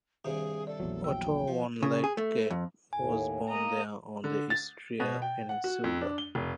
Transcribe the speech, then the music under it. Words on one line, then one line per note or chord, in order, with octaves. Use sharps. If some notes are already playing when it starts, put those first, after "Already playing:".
Otto von Leitgeb was born there, on the Istria peninsula.
G2 C3 D#3 G#4
A4 D5
A#1 E2 F#3
G5 E6
F3
C#3
G#4
A3
F2
D#2 A2 G#5
A#3 D#5 A#5
D3
A6
B2
G5
F#5
F#4
F2
D4
G7
F1